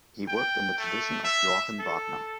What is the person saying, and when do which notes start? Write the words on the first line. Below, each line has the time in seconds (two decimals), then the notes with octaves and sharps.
He worked in the tradition of Joachim Wagner.
0.28 G5
0.78 A3
1.24 E5
1.79 A4